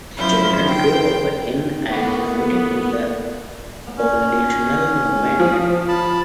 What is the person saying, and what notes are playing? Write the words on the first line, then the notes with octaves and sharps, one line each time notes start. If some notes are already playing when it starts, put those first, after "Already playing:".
The children grew up in and committed to the abolitional movement.
F#2 F3 E4 G6
G5 C6
A2 A#3 B3 F#4
C#4
F3
A5 B5